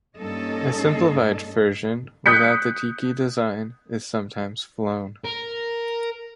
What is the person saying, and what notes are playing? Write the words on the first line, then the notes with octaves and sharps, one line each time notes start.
A simplified version, without the tiki design, is sometimes flown.
G2 A#3 C#4 D#4 A4 D#5
D#6 F#6 G6 B6 C#7
A#4